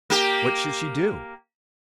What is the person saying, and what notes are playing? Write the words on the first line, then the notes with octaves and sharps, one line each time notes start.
What should she do?
A#3 G4